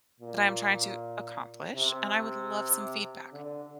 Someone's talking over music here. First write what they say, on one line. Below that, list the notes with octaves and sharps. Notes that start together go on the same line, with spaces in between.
that I'm trying to accomplish, and I would love some feedback.
A#2
C3
D3